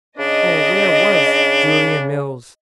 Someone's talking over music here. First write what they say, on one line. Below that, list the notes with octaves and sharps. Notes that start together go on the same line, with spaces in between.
Oh, where was Julia Mills!
C#3 D4 D#5